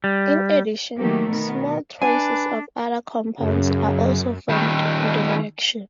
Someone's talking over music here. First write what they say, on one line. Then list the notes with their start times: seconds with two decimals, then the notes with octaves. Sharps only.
In addition, small traces of other compounds are also formed in the reaction.
0.04 G3
0.98 D#3 F#3 A3 A#3 G4
1.30 B2 D#3 B3 A#4
2.01 D4 B4 G#5
3.39 F#2 C#3
4.49 D#3 G3